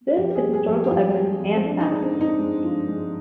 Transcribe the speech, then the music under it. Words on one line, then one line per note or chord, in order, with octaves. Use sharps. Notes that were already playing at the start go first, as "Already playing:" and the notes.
This is historical evidence and fact.
F2 G4
G#4
G3
G#4
F2
G4
G4
F2 F4
G3
F2
C4
G#3 D4
D#4
G#3 D4
C4
D3
D#4
G#3
F3
G#3